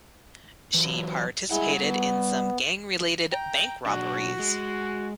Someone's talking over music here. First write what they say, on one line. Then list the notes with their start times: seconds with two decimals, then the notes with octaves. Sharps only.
She participated in some gang related bank robberies.
0.74 E3 F#3
1.51 G3 G#3 E4 F#5
1.82 B3
3.32 G5 A#5
3.86 B1 D4 F#4
4.39 G#3